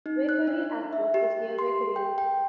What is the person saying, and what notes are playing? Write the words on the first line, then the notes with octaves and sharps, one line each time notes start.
Waikerie Airport is near Waikerie.
D#4
F#6
D4
E5
G4
C6
G5
G5